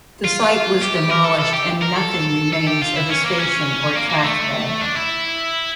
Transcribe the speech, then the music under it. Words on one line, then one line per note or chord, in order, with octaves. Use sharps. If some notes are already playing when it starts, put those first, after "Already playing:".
The site was demolished and nothing remains of the station or trackbed.
F4
G4
G4
A#4
A4
A4
G4
A#4
A4
A4
G4
F4
E4
C#4
A#3
C#4
A#3
A#3
A3
D4
E4